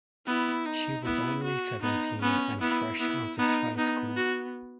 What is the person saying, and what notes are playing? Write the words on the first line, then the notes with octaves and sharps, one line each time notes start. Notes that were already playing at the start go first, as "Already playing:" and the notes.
She was only seventeen and fresh out of high school.
B3 E4
D#4
B3 E4
F#4
B3 D#4
B3 C#4
B3 E4
B3 E4
B3 D#4
B3 D#4
F#4